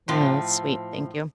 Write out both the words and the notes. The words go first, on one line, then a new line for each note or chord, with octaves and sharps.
Oh, that's sweet, thank you.
A2 F3 C4